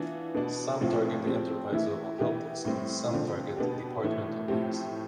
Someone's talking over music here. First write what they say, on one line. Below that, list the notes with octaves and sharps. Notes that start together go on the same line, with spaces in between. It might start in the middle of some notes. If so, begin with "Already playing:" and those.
Some target the enterprise level help desk and some target departmental needs.
Already playing: E3 B3 D4 F4
B2 B3 D4
A2 F3 C4 F4
F3 C4 G4
E3 A3 E4
E3 B3 E4 G4
A2 G3 C4
D3 F3 C4 F4
B2 B3 D4 G4
A2 E3 A3
A2 F3 A3 C4 G4